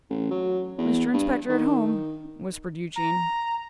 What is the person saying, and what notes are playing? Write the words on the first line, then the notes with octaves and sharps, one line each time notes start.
'Mr Inspector at home?' whispered Eugene.
A1
F#3
E2
G2
D#3
A#5